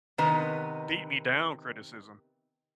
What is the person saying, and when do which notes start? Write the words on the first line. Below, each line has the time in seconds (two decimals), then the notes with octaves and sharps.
beat-me-down criticism.
0.18 C3 D#3 B3 B4 D#5